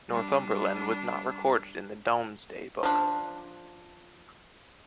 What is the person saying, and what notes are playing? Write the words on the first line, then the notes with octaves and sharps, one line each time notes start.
Northumberland was not recorded in the Domesday Book.
G3 D4
F3 D4